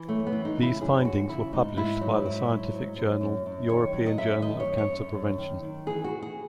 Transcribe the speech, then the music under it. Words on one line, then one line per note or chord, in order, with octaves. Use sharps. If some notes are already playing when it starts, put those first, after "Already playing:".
These findings were published by the scientific journal European Journal of Cancer Prevention.
Already playing: E3
F#2 A3
B3
E3
D#4
C#3
E4
F#2 G#4
E3 F#4
C#3 E4
G#2 D#4
G#2 E4
F#3 D#4
G#2 E4
F#3
G#2
F#2
F#2
F#2
D#3 C#5
F#3
D#5
F#2 E5
D#3 D#5
C#5
F#2
C#5
F#2
F#2
D#3
D#3
E3 G#4
F#4
E3
G#4